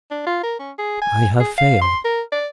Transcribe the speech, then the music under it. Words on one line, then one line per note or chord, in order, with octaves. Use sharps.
I have failed.
D4
F4
A#4
C#4
G#4
G#5
G#4
F5
C6
A#4
D5